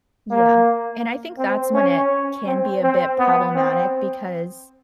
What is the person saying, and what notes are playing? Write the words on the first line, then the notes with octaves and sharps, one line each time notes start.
Yeah, and I think that's when it can be a bit problematic, because,
A#3
C4
C#4
C4
C4
B3
C4